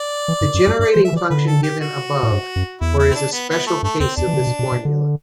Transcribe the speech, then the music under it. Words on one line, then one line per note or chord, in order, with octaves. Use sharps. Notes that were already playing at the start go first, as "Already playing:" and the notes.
The generating function given above for is a special case of this formula.
Already playing: D5
E3
G2
F#2
F#2
G2 D5
E3 C5
E5
E3
D5
D3 B4
A4
G4
F#4
A2
G2
F#2
E2 E4
E4
C4
D4
B3
B3
A3
G2 A3
E2 C4
E2 D4
E3
D3
C3
B2
B2
B2
D3